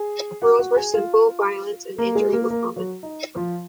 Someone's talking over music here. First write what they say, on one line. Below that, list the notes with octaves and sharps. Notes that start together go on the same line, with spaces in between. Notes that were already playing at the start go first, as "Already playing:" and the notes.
Rules were simple, violence and injury were common.
Already playing: G#4 G#5
F#4 F#5
F#4 F#5
G#4 G#5
F4 F5
A#3 A#4
G#3 G#4
A#3 A#4
A#3 A#4
F#3 F#4
D#4
F3 F4